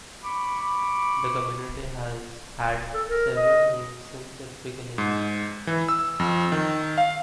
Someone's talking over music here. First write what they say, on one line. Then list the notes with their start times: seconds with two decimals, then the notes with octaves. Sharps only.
The community has had several names since its beginning.
0.24 B5 C#6 D6
2.94 A4
3.09 A#4
3.36 D#5
4.98 G#2
5.67 E3
5.89 E6
6.20 F2
6.52 D#3
6.98 F5